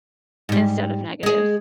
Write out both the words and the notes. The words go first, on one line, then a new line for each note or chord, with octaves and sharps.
instead of negative,
G#2 G3
G#3 G#4